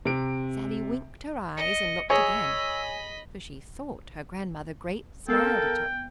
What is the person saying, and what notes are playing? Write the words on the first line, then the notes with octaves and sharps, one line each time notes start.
Sallie winked her eyes and looked again, for she thought her Grandmother Great smiled at her.
C3 D7
D#5 C#7
G#4 C#5 D#5 B5 E6
B3 A4 A#4 F5 G5